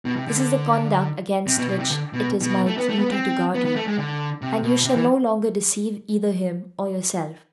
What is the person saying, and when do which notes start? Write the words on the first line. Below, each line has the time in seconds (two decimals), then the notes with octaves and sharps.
This is a conduct against which it is my duty to guard you, and you shall no longer deceive either him or yourself.
0.05 B2
0.16 C3
0.27 D3
0.38 D3
1.47 C3
1.58 B2
1.69 B2
1.80 C3
1.91 D3
2.13 B2
2.41 B2
2.66 A3
2.78 B3
2.89 A3
2.99 B3
3.11 C4
3.55 B3
3.65 B3
3.76 A3
3.87 G#3
3.98 D3
4.42 C3
4.63 B2
4.84 C3
4.96 E3